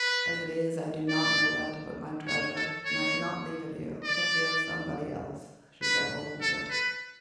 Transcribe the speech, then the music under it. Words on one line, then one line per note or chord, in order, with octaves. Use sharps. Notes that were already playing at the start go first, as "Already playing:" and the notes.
As it is I do not know where to put my treasure, and I cannot leave it here for fear somebody else should get hold of it.
Already playing: B4
D5
C#5
A4
C#5
D5
B4
A4
B4